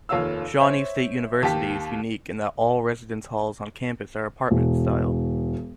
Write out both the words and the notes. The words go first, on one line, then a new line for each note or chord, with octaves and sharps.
Shawnee State University is unique in that all residence halls on campus are apartment-style.
F1 D#2 F4 C#5 F5 E6
C5 C#5 E5
D#2 G4 A5 B6
E1